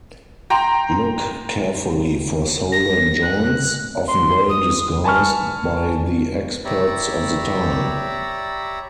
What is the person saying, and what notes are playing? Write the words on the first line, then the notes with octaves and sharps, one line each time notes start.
Look carefully for soldered joints, often well-disguised by the experts of the time.
G5 A#5 C6
A#6
F#6
C6
D#6
G#5 A5 B5 C#6 F6
G4 C#5 D5 E5 A#5 B5